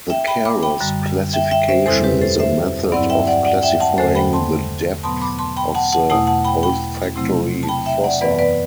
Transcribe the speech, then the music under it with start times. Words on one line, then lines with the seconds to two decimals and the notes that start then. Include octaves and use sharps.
The Keros classification is a method of classifying the depth of the olfactory fossa.
0.10 E5 G5
0.27 G5 B5
0.45 B5 D6
0.63 G5 B5
0.80 F#2 D3 G3
1.33 E5 G5
1.51 E5 G5
1.68 C5 E5
1.86 E2 B2 G3 C4 E4 A4 C5
2.04 G4 B4
2.21 A4 C5
2.40 C5 E5
2.92 G2 F#3 C4 E4 D5 F#5
3.10 E5 G5
3.27 D5 F#5
3.45 D5 F#5
3.63 E5 G5
3.80 F#5 A5
3.98 E2 D3 A3 A4 C5
4.15 G5 B5
4.33 A5 C6
5.03 B2 F#3 B3 A5 C6
5.22 B5 D6
5.39 A5 C6
5.57 G5 B5
5.75 F#5 A5
5.92 F#5 A5
6.10 E2 B2 A3 E4 F#5 A5
6.27 F#5 A5
6.45 G5 B5
6.63 G5 B5
7.16 C3 F#3 A3 C4 E4
7.63 A5
7.68 G5 B5
7.86 E5 G5
8.04 D5 F#5
8.21 F#2 E3 B3 B4 D5
8.39 B4 D5